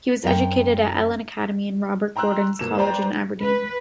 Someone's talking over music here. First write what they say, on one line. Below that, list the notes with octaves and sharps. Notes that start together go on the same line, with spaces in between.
He was educated at Ellon Academy and Robert Gordon's College in Aberdeen.
F#2 G5
G5 A#5 C6 E6 F#6
G1 A#3 E7
B4 C5 D5 G5 A#5
B4